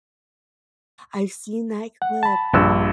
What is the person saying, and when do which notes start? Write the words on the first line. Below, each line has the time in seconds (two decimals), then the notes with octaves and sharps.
I've seen that clip.
2.02 F#5
2.23 A5 B5
2.53 A#1 G2 E6